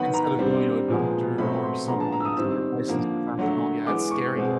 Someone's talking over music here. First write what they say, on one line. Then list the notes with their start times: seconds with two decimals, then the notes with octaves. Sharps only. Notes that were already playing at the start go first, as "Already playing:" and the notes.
Instead of going to a doctor or someone that's pro licensed professional, yeah, that's scary.
Already playing: D#3 F#3 B3 B5
0.14 A#5
0.39 D3 G3 C4
0.88 A#2 F3 G#3 B3
1.38 B2 F#3 A3 C4 B5
1.63 C6
1.87 D3 F3 G#3 B3 A#5
2.00 A5
2.12 A#5
2.20 E6
2.25 D#6
2.37 D#3 G3 C4 E6
2.87 D3 F3 A#3
3.37 D3 F#3 A3
3.87 E3 G#3 B3 D6
4.11 C#6
4.36 B2 G#3 C4